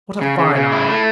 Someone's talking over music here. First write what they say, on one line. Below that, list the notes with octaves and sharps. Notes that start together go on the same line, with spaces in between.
What a fine eye!
C#3
C#3
C#3
E4
A3